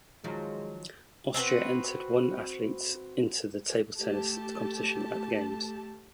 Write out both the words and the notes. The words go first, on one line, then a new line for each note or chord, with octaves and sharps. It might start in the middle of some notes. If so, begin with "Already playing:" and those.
Austria entered one athletes into the table tennis competition at the games.
D#3 F3 F#3 G#3
C4 F#4 G#4 B4
A3 G4 A5